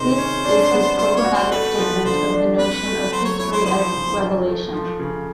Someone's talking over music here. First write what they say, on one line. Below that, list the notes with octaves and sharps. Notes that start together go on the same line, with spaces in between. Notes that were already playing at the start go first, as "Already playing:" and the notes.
This is his programmatic statement of the notion of "History as Revelation".
Already playing: C3 D#3 G#3 C5
C#4
D4
B3
G3 C5
C#5
F#4
C5
A3 B4
F3
D3 C5
D4
C4 B4
A3
F#3 C5
C#5
E4 C#5
C5
F3 C5
C#3
F#2
A3
F3
C#3